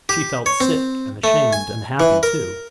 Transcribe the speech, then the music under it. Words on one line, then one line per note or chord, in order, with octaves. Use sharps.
She felt sick and ashamed and happy, too....
G4
C#5
C4
A3
G#5
E3
A#4